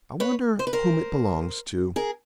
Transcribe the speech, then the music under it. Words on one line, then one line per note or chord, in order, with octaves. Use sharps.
I wonder whom it belongs to.
B4 C#5
C5
B4
A#4 C5
G#4 A#4